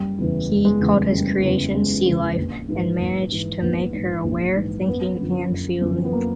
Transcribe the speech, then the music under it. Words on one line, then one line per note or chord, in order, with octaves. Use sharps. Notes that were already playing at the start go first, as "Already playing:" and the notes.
He called his creation C-Life and managed to make her aware, thinking, and feeling.
Already playing: F#1 G3
E2 C#3 E3
F#1
G#3
E2 C#3 E3
G#3
F#1 G3
E2 C#3 E3
F#1 G#3
E2 C#3 E3 G#3
A#1
G#2 E3
A#1
G#2 E3
A#1 B3
G#2 E3
A#1
G#2 E3
F#1 B3
F#2 D3 F3
F#1
F#2 D3 F3
C4
B3
A#3